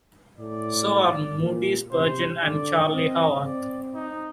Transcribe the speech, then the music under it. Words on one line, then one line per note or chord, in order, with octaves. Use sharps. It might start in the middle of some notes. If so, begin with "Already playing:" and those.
So are Moody Spurgeon and Charlie Howarth.
A2 D5
A#2
C3 C5
D3 D5
C4 D#5
C4 D5
D#4